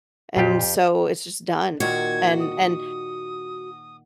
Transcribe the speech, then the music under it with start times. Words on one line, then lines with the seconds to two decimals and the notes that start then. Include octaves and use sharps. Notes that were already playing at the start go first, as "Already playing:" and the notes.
And so, it's just done, and and
0.37 F2 A#2 F4 G4
1.80 A#2 D#3 F#4 C#5 G#6
2.40 D#6